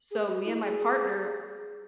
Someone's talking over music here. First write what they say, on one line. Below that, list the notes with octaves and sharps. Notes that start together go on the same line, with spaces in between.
so me and my partner
G#4
F#4
E4
G#4